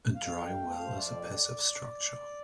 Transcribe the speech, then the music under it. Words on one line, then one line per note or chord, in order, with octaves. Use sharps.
A dry well is a passive structure.
F2 F5
G5
A3
F5
C5
F2 D5